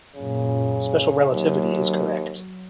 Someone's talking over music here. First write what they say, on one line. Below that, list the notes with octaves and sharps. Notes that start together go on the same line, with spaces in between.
Special relativity is correct.
F#2 A#2 C#3
D#2 F#3